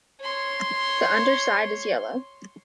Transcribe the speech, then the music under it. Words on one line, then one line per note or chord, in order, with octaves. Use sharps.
The underside is yellow.
C#5 C6